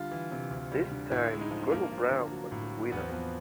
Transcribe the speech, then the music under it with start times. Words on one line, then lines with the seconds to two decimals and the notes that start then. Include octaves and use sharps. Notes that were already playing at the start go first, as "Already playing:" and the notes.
This time, Gregor Braun was the winner.
Already playing: D3 G3 F4
0.11 E3
0.32 C3
0.51 D2
0.72 G3
0.92 D3
1.11 A2 E4
1.32 G#3
1.41 D#4
1.51 F3
1.72 G2 A#3
1.92 F3
2.11 D3
2.31 F#3
2.52 A2
2.72 F#3
2.92 E2 B3
3.00 C4
3.09 F3 B3